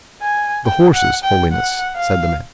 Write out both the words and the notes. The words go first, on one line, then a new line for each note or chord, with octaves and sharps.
"The horses, Holiness," said the man.
G#5
G5
F#5
G5
F#5
F5